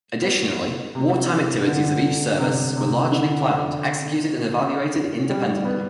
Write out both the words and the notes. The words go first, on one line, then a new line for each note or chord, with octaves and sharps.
Additionally, wartime activities of each service were largely planned, executed, and evaluated independently.
B3
C3
D3
C3
C3
D3
G3
B3